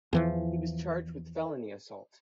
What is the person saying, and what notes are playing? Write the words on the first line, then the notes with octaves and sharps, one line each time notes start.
He was charged with felony assault.
E2 E3 F3